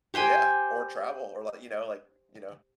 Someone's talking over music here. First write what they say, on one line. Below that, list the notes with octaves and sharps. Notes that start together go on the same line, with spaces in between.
yeah, or travel, or like you know, like you know,
G4 C5 G5 G#5